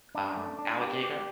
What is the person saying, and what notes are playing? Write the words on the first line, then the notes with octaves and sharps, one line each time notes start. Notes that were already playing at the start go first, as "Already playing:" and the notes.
um, alligator,
D4
A3
D4
G4
G4